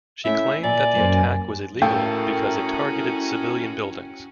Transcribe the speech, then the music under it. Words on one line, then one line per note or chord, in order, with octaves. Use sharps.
She claimed that the attack was illegal because it targeted civilian buildings.
A3 C#4 E4 E5
A#2 D5 G#5
F#2 A#3 C5
A2 A3 C#4 E4 F#4 A4 A#4 G5